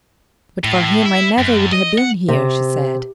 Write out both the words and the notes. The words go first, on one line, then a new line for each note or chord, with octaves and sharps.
"But for him I never would have been here," she said.
A2
E4
F#2
D#5
F#5
C3